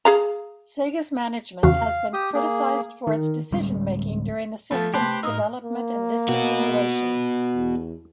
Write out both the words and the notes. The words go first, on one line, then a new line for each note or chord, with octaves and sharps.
Sega's management has been criticized for its decision-making during the system's development and discontinuation.
G#4 F5 A#5
E2 C#3 F#4 F5
G4 D#6
A#3 G#4
D#3
D1 G3 G#3 C#4
F3 A3 B3 B4 B5
C3 A3 G4 B4 C5 A5 C6
A2 A#3 D#4 A#4 D#6 E6
A#3
B3 F#4
E2